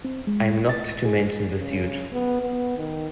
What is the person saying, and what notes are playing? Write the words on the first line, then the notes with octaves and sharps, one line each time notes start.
I am not to mention the suit.
C4
G#3
A6
G#4
C#3
B3
B3
D#3